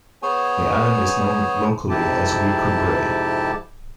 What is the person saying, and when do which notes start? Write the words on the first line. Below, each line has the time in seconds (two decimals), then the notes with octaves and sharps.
The island is known locally as Wee Cumbrae.
0.23 B3 G#4 C5 C#5 G#5
1.90 F2 G#2 C3 E4 G4 A5